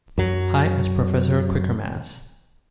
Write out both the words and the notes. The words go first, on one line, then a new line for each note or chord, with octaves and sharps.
High as Professor Quakermass.
F#2 F#3